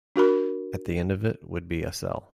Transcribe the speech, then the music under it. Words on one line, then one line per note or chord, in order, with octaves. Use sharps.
At the end of it would be a cell.
D4 F#4 A#4 B5